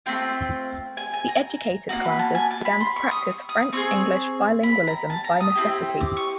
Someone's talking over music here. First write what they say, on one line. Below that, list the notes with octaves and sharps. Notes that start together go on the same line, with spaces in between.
The educated classes began to practice French-English bilingualism by necessity.
A3 C4 F4 G5
G#5
G#5
A#5
A#3 D#4 F#4 A#5
B5
A5
G#5
A5
B5
C6
C#6
D#6
D#6
C4 F4 G#4 C#6
B5
A#5
A5
A#5
D#6
C4 E4 G4
D6
C#6